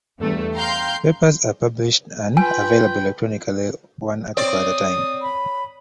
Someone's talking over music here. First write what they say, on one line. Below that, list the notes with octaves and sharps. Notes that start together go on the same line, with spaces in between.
Papers are published and available electronically one article at a time.
E2 G2 A3
F5 G5 A#5 C6 F6 G6
F4 B4 G5 G#5
C4 C#5 D5 D#6
B5